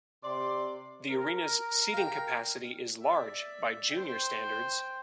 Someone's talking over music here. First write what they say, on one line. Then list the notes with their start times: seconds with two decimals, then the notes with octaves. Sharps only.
The arena's seating capacity is large by junior standards.
0.23 C3 D5 C6
1.09 A#4
1.94 F5 G5
3.02 D5 E5
3.91 C5 G5